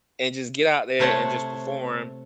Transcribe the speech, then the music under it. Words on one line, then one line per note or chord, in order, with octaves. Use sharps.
and just get out there and just perform
C3 A3 C5 C#5 F#5 A5